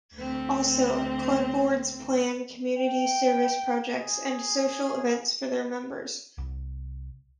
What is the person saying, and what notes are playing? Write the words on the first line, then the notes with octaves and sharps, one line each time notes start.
Also, Club Boards plan community service projects and social events for their members.
D2 C4
G5
G#4
C2